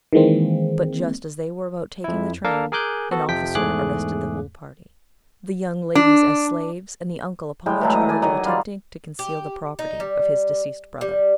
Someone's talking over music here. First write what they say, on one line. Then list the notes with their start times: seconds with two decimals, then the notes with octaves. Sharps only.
But just as they were about taking the train, an officer arrested the whole party; the young ladies as slaves, and the uncle upon the charge of attempting to conceal the property of his deceased brother.
0.13 D#3 E3 G#3 A#3 C4
2.04 F2 E4
2.45 A#3 D4 A4 A#4 F5 A5
2.72 G#4 A#4 G#5 D6 F#6 G6
3.11 B3 F#4 A4
3.28 F2 C3 F3 G5 B6
3.55 E2 G#2 A3 G#4 D6 F#6
5.95 D4
7.66 A2 G3 G#3 G5
7.81 E3 F#3 A3
7.95 D#5
8.09 D5 G#5
8.22 D#3 F#3 D#5
8.45 G3 F4 D5
9.19 G4
9.79 D#4
10.00 G3
11.01 G3